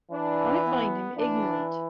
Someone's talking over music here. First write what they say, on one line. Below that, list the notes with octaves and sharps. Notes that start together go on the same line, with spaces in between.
I find him ignorant.
E3 D4
B3
E3 D4